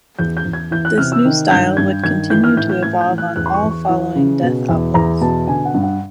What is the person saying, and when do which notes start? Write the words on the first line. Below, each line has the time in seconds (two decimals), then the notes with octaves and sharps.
This new style would continue to evolve on all following Death albums.
0.19 E2 G6
0.37 G6
0.45 E2
0.53 G#6
0.71 E3 G6
0.85 F#6
0.98 C3 F6
1.12 E6
1.25 D#3
1.51 G2 G6
1.77 G2 G#6
2.03 D#3 G#6
2.30 E3 G6
2.44 F6
2.57 A2 G6
2.70 G6
2.83 A2 G#6
3.01 G6
3.09 E3
3.18 F#6
3.36 E2 F#6
3.46 C6
3.54 C#6
3.62 E2
3.71 C#6
3.89 E3
4.15 C#3
4.42 B2
4.69 E2
4.94 E2 A#5
5.21 B2 A5
5.48 D3 G#5
5.65 F#5
5.74 G2
5.83 F#5